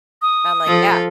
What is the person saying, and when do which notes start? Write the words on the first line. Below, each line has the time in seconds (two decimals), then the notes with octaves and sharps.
I'm like, "Yeah."
0.22 D#6
0.67 F3 A4